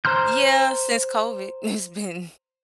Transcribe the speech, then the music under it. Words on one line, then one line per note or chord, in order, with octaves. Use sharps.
Yeah, since COVID, it's been
C5 A#5 C6 F6 G6